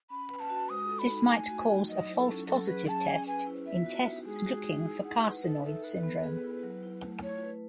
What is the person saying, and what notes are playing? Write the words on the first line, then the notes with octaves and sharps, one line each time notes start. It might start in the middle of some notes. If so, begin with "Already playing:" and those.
This might cause a false positive test in tests looking for carcinoid syndrome.
C#4 B5
B4
A5
F#4
G#3 D#6
A4
B5
D#4
A3 G#5
F#4
D#4
F#3 D#5
E4
A4
C#4
F#3 A4
G#4 B4
C#4 A5
C#4 G#5
B4 G#5
E4
B3 E5
F#4
D#4
G#3 G#4
F#4
D#4
E4
F#5
B4
D#4 A4
A4 E5
A4 B4
B3
G#4
E4
F#3
E4
A3
A3 C#5
B4